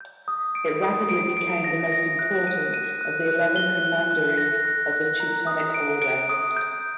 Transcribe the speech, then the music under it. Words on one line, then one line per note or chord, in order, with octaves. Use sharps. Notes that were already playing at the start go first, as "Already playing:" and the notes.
It rapidly became the most important of the eleven commanderies of the Teutonic Order.
G6
D#6
D7
D#6
D7
D7
A#6
A#6
F#6
D#7
D#7
F#6
F#6
G7
F#6
F#6
A#6
F#6
F#6
A#5
D#6
D7
D7
D#6
G6